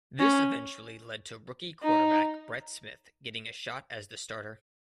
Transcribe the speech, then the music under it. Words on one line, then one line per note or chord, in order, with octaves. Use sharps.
This eventually led to rookie quarterback Brett Smith getting a shot as the starter.
C#4
D#4